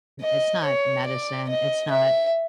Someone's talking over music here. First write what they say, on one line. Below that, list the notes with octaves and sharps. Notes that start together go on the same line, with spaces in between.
it's not medicine, it's not
D#5
C#5
D5
D#5
E5